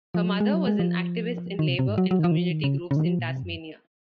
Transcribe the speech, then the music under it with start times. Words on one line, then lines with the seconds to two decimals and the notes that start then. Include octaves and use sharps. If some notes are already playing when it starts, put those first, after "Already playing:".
Her mother was an activist in Labor and community groups in Tasmania.
0.14 F3
0.27 F#3
0.40 G#3
0.54 F#3
0.67 G#3
0.79 F3
1.59 D#3
1.68 C3
1.79 C3
1.88 G#2
1.98 F#3
2.11 F#3
2.19 D#3
2.24 F3
2.31 D#3
2.38 F3
2.50 D#3
2.64 C#3
2.91 C#3
2.96 D#3
3.06 F3
3.19 A#2
3.29 C3
3.43 F#2